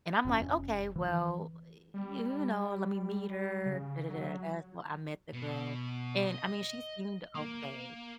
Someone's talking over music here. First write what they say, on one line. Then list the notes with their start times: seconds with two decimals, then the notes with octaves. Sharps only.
And I'm, like, "Okay, well, you know, let me meet her." Duh, duh, duh, duh, duh that's how I met the girl, and I mean, she seemed okay.
0.25 F1 A2 C#4
0.96 E3
1.94 G3
3.66 C#3
4.09 F#3
5.33 B2
6.26 D#5
7.35 A#3